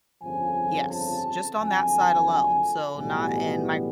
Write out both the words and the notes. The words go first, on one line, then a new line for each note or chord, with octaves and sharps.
Yes, just on that side alone, so, not in my
G1 F2 C#3 F3 G#5
A5
F#1 F2 D3 G#5
B1 A2 E3 G3 B3 G#5